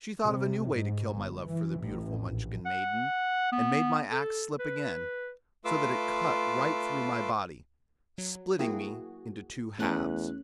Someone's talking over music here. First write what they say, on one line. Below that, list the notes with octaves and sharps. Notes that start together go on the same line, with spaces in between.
She thought of a new way to kill my love for the beautiful Munchkin maiden, and made my axe slip again, so that it cut right through my body, splitting me into two halves.
C3
G#2
G1
E3
A1
A#1
F#5
B3
A4
B4
A3 F4 B4 C6 D6 E6
F#3
A#3 E4 F#4 G#4 G5
E2 A3 C#4 F#6